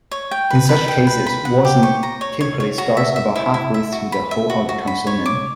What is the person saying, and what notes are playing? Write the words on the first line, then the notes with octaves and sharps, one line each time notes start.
In such cases, voicing typically starts about halfway through the hold of the consonant.
C#5
G5
B4
B4
G5
B4
B5
F#5
G4
C#6
A#5
C#5
C#5
C#5
F#4
E5
E5
E4
E4
E5
F#4
B5
E5
F#4
F#4
B5
C#5
D6